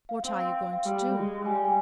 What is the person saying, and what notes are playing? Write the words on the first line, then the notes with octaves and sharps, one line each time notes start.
What are you going to do?
F5
C4 F5
F5
G3 G5
G#3
G3 G#5
G5
G#5